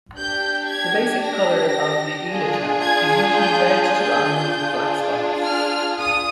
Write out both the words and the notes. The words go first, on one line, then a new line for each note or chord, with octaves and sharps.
The basic color of the elytra is usually red to orange with black spots.
D4 G4 G6
G#6
A#6
D4 F4 G#4
G#6
G6
G6
D4 F4 G#4
F6
D#6